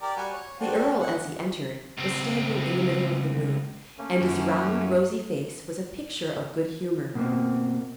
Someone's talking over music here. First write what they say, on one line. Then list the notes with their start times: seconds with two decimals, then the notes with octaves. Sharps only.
The earl, as he entered, was standing in the middle of the room, and his round rosy face was a picture of good-humour.
0.02 G4 A#4 D5
0.17 G3 F#4 G#5
0.33 C#5
0.60 C4 D4 F#4
1.01 F#5
1.98 C#2 C4
3.98 A3 A#3 C#4
4.21 F#2
7.15 B2 A#3 C4